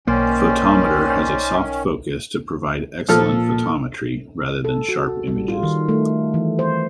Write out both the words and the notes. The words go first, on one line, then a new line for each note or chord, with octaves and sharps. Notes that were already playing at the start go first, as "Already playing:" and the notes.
The photometer has a soft focus to provide excellent photometry, rather than sharp images.
B1 D#3 A#3 C#4 C5 D5
A#2 F3 A4 F6
A4
F#4
G3
F4
D#3
A3
E3
C5